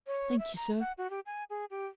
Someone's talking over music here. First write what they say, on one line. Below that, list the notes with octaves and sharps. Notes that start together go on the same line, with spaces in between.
"Thank you, sir."
C#5
E5
A#5
F#5
F#4
G4
G#5
G#4
G4